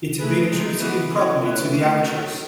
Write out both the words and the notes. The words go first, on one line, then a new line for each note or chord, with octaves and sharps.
It had been attributed improperly to the actress.
A3 E4 G#4 B4
G#3 D#4 G#4
E3 B3 F#4 B4
C#4 E4 A4 C#5
A3 E4 B4
E3 A3 C#4
D#3 F#3 C#4 F#4